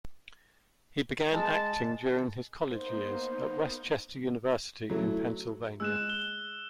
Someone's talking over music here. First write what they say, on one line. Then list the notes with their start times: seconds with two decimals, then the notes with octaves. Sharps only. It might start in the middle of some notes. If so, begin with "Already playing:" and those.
He began acting during his college years at West Chester University, in Pennsylvania.
1.32 G#3 A5
2.66 A#3 B3 D#4 C5
4.90 F#3 A3 E4
5.80 G#3 E6 F#6 E7
6.10 G7